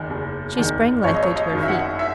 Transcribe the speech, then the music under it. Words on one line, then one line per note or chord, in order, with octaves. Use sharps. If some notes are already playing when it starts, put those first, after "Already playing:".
She sprang lithely to her feet.
Already playing: F#1 E2 D#3
F#1
E2 D#3
G#1 C#5
D#5
C#5
D#5
F#2 D#3
E5
F#5
E5